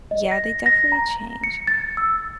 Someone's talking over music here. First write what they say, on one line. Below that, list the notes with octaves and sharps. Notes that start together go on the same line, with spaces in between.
Yeah, they definitely change.
D#5
A#6
A#6
A#5
C#7
A6
E6